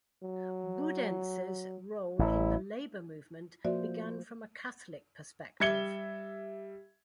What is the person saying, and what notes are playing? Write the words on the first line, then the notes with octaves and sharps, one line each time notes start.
Budenz's role in the labor movement began from a Catholic perspective.
F#3
A1 E4
F3 A#3 F#4 C5 D5 E5
G3 E5 G#6 C#7 G7